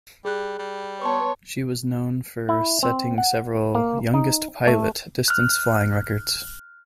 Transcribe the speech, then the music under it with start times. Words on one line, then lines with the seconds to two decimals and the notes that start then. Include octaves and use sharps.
She was known for setting several "youngest pilot" distance-flying records.
0.25 G3 G#4 F#6
0.59 G3
1.02 B3 C#5 A5 C6 C#6
2.49 E4
2.83 C4
3.18 F#5
3.75 A#3
4.14 D#4
4.67 A3
5.28 F6 F#6